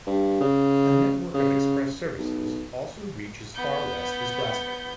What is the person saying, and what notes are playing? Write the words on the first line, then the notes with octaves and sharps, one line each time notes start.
A network of express services also reach as far west as Glasgow.
G2
C#3
C#3
B1
B3 G6